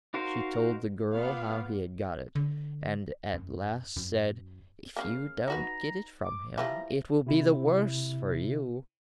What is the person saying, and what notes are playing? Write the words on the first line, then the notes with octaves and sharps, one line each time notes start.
She told the girl how he had got it, and at last said: 'If you don't get it from him, it will be the worse for you.'
D#4 F#4 A#4 C5 F5
A#3 B3 F4 F5
D3
F#2
F#2
C#3 A#3 F5
D#4 F#4 B4 A#5
D6
E3 F3 G3 A#5
C3 E4